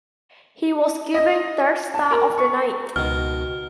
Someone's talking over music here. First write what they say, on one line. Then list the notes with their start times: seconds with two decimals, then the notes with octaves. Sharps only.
He was given third star of the night.
1.14 D#5
1.94 A5
2.11 A#4
2.38 C#6
2.96 C#2 B2 D#3 F#4 F6